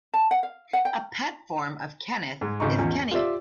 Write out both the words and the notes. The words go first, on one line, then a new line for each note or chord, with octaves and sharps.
A pet form of Kenneth is "Kenny".
A5
F#5
F5
F#5
G5
G#2 G#3
G#1 G#2 C#3 D#4 A#5 C#6
E2 D#3 F3 C#4
G#5
F4 G4 C5 D5 E5